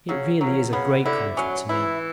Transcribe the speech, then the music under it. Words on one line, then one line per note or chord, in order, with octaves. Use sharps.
It really is a great comfort to me.
C#3 F#3
C#3 F#3
C#3 B3
D3 E4
F#3 C#4
E3 E4